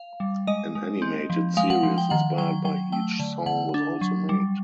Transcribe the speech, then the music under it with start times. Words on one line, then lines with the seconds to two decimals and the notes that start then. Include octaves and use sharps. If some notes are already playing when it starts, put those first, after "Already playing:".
An animated series inspired by each song was also made.
Already playing: F5
0.20 G3
0.47 G#3 D#5
0.75 G#3
1.02 C4
1.30 F3
1.57 G#3 F5
1.70 F#5
1.83 F3
1.98 G5
2.10 D#3 F#5
2.38 F#3 G5
2.65 F#3 G5
2.92 A3 G5
3.20 D3
3.46 D3 F#5
3.74 D4
4.01 F#3
4.29 G3